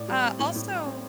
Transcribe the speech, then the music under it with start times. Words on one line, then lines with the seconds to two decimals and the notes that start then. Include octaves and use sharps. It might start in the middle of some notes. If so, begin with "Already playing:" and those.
Uh, also
Already playing: A2 D5
0.08 G3
0.24 C4
0.39 A2
0.55 A2
0.71 G3
0.86 C4